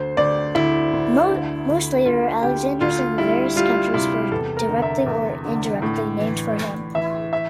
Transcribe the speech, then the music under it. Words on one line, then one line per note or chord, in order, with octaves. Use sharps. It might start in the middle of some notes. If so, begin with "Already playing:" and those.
Most later Alexanders in various countries were directly or indirectly named for him.
Already playing: D2 C5
D2 D5
D2 E4
D2
D3
D2
D2 F4
D2 G4
D2 F4
G3 E4
G3 F4
C3 E4
E2 A4
A#4
D3
E5
E2
D3
A2
E3
A2
E3 E5
E5